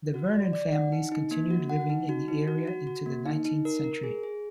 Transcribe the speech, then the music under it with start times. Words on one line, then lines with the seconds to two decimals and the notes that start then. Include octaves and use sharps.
The Vernon families continued living in the area into the nineteenth century.
0.14 F#4
0.34 D5
0.53 D5
0.72 F#5
0.92 D#4
1.11 D#4
1.31 A#3
1.51 F#4
1.69 F#5
1.90 D#4
2.09 F#4
2.28 D#4
2.48 F#4
2.67 F#4
2.87 F#4
3.06 A#3
3.26 D#4
3.45 D#4
3.65 A#4
3.84 A#4
4.03 G#4
4.23 G#4